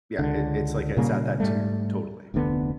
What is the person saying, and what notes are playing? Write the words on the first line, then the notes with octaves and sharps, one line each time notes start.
yeah, it it's like it's at that tier, totally,
C#2 D3
A#2 C#3 G3 A#3
G#2 G3 A3
F1 D2 D3 B3